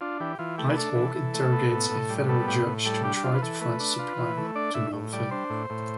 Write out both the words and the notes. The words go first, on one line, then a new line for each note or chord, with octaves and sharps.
Nighthawk interrogates a federal judge to try to find the supplier, to no avail.
D4 F4
E3 G4
E3 F4
A3 G4
B4
D4 A4
E3
E3
A3
B3
A2
A2
G3
B3 A4
A2 G4
A2
G3 A4
D4 G4
G4
F4
B4
E3 A4
A3 B4
D4
F4
E3
A3
D4 D5
A2 E5
A2
G3 D5
D4 C5
A2
A2